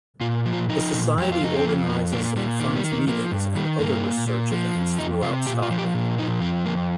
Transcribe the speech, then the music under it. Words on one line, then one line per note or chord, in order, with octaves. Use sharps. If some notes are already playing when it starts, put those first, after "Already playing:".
The Society organises and funds meetings and other research events throughout Scotland.
A#2 F4
F3
F4
F3 D#4
A#2
F2 G4
F4
F2 D#4
C4
F3 A#3
F2 A#3
A#2 A#3
A#2 G3
D#3 A#3
G3
D#3
A#3
F3 A#3
G2
D#3 G3
G2 A#3
A#2
A#2
F3
F2
F2 D#4
C3 F4
A#2 G4
F4
F3
G4
A#2
F3 D#4
F2 C4
F2 A#3